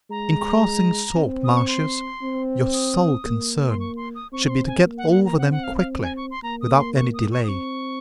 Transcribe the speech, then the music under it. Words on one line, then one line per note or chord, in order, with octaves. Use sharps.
In crossing salt-marshes, your sole concern should be to get over them quickly, without any delay.
G#3 A#5
C4
D#6
C#6
C6
C4
D#6
A#3
C6
C#6
C6
D#6
C4 C#6
C#6
C6
G#5
A#3
F#5
F#5
A#5
C4 F#5
F#5
F5
F5
G#5
C#6
C6
A#3 A#5
D#6
C6
C#6
D#6
C#6
D#6
C4 C#6